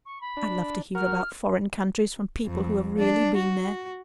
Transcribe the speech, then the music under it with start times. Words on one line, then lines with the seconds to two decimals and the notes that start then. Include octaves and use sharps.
I love to hear about foreign countries from people who have really been there.
0.05 C#6
0.21 B5
0.37 D4
0.95 F#4 A#4 F6
2.45 F2
2.98 D4
3.37 F#4